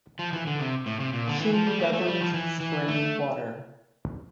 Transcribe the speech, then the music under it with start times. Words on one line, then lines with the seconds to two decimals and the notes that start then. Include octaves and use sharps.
She governs spring water.
0.19 F3
0.33 E3
0.47 D3
0.60 C3
0.86 A2
1.00 C3
1.13 A#2
1.27 D3
1.40 E3
1.53 F3
1.67 G3
1.80 A#3
1.93 A3
2.07 G3
2.21 F3
2.34 E3
2.60 E3
2.88 A3